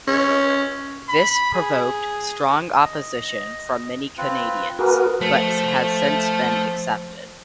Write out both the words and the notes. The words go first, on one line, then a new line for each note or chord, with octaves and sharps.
This provoked strong opposition from many Canadians, but has since been accepted.
C#4
B5
G#4
D#5
C4 F4 B4
A#3 F#4 G#4 A#4 B4
F3 A3